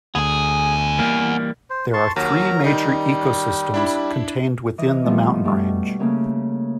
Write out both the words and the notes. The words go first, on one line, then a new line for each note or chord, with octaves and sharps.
There are three major ecosystems contained within the mountain range.
D2 B3 G#4 G#5
E3 G3 A#3
C5
A5 C6 C#6
D#2 F#3 A#4 A#5
D#3 G3 D#4
D4 E4 B5
E3 D#5
D#3 F3 G3 A3 B3 E4
B2 G3 A3
C#3 A3 A#3 C#4